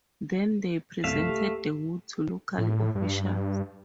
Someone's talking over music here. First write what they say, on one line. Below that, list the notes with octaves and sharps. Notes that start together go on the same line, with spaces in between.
Then they presented the wood to local officials.
F#1 C2 A3 E5 F5
G4
A2
G2